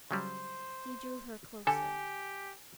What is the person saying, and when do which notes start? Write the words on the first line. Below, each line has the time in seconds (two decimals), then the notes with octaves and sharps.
He drew her closer.
0.11 C#3 F#3 G3 C5
1.67 D3 G4 A4 G#5